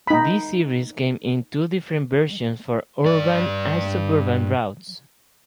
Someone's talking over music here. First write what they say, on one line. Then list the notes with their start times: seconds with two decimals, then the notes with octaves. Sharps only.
This series came in two different versions for urban and suburban routes.
0.07 D#4 B5
3.06 G2 D5